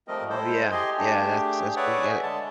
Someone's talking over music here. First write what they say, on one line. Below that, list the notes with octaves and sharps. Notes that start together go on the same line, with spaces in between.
Oh, yeah. Yeah, that's that's what you gotta
F3 G3 A3 C4 A#4 D#5
G#3 E4 A4 C5
G4 G#4 D#5 G#5 C6
A3 D4 G4 G#4
G#4 B4 C#5 D5 E5 F#5
D3 G#3 A5